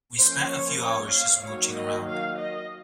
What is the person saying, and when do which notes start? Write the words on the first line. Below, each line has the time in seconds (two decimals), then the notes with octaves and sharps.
We spent a few hours just mooching around.
0.19 F3 A#3 C#4 C5
0.50 C#5
0.82 C#5
1.13 F5
1.45 D#3 F#3 A#3 C#5
1.77 D#5
2.08 F5
2.40 D#5